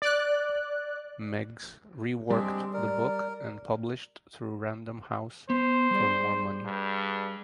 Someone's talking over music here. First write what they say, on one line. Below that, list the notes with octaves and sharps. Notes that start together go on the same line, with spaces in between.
Meggs reworked the book and published through Random House for more money.
D5 F#6
G3 G#3 C4 D4
A#4 D5
B3 C5
G3 G#4 D5
G2